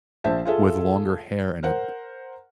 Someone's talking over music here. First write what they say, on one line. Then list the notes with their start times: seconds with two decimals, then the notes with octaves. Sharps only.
with longer hair and a p
0.24 A#1 C5 E5 A5
0.45 F4 G#4 A4 E5
1.63 A#4 C5 F#5